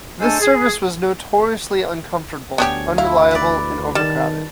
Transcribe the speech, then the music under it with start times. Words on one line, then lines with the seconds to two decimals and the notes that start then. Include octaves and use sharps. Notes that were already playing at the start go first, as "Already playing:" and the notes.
This service was notoriously uncomfortable, unreliable and overcrowded.
0.19 G#3 A3 D4 A4 C5 G#5
0.40 G#4
2.58 D2 B3 D4 G4 C#5 G#5
2.98 E4 F5
3.31 B4 D5
3.95 D#3 G3 A5